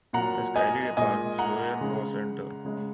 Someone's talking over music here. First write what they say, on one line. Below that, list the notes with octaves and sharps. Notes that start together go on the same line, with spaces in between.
As Kaylee departs, Zoe and Wash enter.
A#2 F#3 F#5 A#5
D#5 G#5
A#2 G#3 D#5 G#5
F#5 A#5
C#3 G#3
C#3 G#3